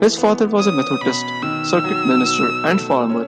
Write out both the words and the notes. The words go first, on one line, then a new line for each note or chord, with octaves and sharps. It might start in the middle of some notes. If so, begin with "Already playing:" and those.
His father was a Methodist circuit minister and farmer.
Already playing: E3 A3
B3
C#4 D#6
B2 B5
D#3 E6
F#3
B2
A3
C#4